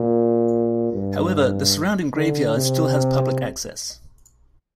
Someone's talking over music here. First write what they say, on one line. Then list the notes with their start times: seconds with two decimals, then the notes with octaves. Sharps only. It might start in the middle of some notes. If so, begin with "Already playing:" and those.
However, the surrounding graveyard still has public access.
Already playing: A#2
0.93 G2
2.15 D3
2.56 C3